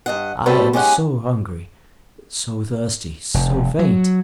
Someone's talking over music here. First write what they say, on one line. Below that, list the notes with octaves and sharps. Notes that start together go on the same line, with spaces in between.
I am so hungry, so thirsty, so faint!
G2 D#5 F#5
F#3 G3 B3 A4 B4 C5
G#3 C#4 D#4 G4 G#4 F#5
F1
F#3